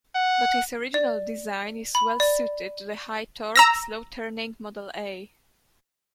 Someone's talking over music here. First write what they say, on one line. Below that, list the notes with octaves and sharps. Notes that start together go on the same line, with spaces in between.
But his original design is well suited to the high torque, slow-turning Model A.
F#5
D5
B5
D5
A#5 E6 A#6